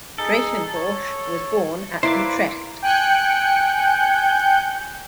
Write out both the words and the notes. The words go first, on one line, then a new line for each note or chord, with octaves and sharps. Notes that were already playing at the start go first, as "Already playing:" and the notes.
Drakenborch was born at Utrecht.
D#4 G#4 A4
C#5
A#3 E4 B4 C5 D5 D6
G5 G#5 F#6 G6 C#7